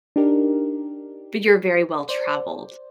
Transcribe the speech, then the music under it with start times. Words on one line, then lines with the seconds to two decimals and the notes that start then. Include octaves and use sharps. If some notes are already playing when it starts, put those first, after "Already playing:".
you're very well traveled.
0.16 D4 D#4 G4 A#4
2.09 C5 D5